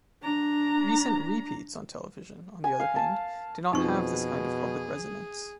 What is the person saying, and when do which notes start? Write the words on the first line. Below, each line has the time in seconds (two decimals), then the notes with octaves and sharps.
Recent repeats on television, on the other hand, did not have this kind of public resonance.
0.22 D4 A#5
2.64 G#5
2.80 F5
2.96 A5
3.73 F2 B2 F3 D#4 G#4 C#6